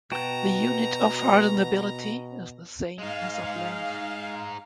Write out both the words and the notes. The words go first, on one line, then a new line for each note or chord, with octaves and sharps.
The unit of hardenability is the same as of length.
B2 F#4 B4 G5 A5 A#5
G#3 D#4 F5